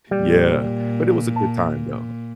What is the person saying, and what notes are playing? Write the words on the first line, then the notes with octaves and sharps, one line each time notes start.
Yeah, but it was a good time, though.
A#2 G3
A5